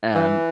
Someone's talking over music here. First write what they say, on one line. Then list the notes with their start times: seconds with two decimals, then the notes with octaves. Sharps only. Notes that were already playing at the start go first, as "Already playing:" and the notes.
t um,
0.14 E3